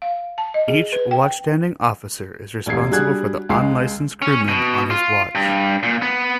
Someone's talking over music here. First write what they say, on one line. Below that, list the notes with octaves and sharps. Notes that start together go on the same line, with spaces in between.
Each watchstanding officer is responsible for the unlicensed crewmen on his watch.
F5
A5
D#5
G#4
B4
G5
D#1 A1 G#6 C7
G3 D4 F#4 G#4 F#6 G#6
C#2 G#3 C7
C#4
B2
F4
G2
A#2
B3